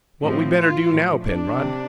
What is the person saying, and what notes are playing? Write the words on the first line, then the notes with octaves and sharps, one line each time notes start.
"What we better do now, Penrod?"
A2 F3 C4
F4
A2 F3
D4
C3